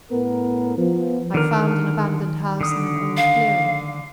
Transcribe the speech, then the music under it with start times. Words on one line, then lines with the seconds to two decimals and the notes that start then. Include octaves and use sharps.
I found an abandoned house in an old clearing.
0.12 A2 B3 A#4
0.78 F3 B3
1.34 D3 D#3 A#4
2.61 D3 D#6
3.17 F5